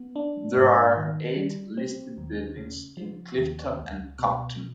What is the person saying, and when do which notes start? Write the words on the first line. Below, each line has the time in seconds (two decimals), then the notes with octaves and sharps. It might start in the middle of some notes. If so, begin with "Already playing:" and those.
There are eight listed buildings in Clifton and Compton.
Already playing: B3
0.16 D4
0.57 G#2
0.97 D#3
1.36 G3
1.77 C4
2.18 D#2
2.57 C#3
2.97 F3
3.38 D#2
3.78 C#2
4.19 B2